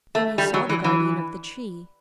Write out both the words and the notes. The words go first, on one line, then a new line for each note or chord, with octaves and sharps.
Then he saw the guardian of the tree.
A3
G3
F#3
E3
E3